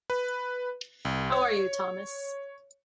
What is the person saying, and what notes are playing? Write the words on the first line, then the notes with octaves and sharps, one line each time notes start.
How are you, Thomas?
B4
C2
C#5